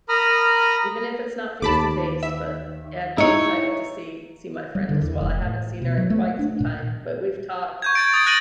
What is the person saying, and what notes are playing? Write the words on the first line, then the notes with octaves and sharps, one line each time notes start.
even if it's not face-to-face, but yeah I'd be excited to see see my friend as well, I haven't seen her in quite some time, but we've talk
A#4 A#5 B5 D#6 F6
D#2 A5 B5 D6
E5
D#4 E4 C#5
G3
D3
E2
F1
A2
B2
F#3
A3
D4
A#2
C#6 G6 G#6
G#6 A6 D7
D#6 G#6 A6 D7
F#6 A#6 D7 D#7 F#7